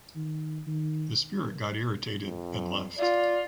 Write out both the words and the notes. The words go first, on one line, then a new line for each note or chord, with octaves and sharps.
The spirit got irritated and left.
D#3
D#3
F2
F4 D5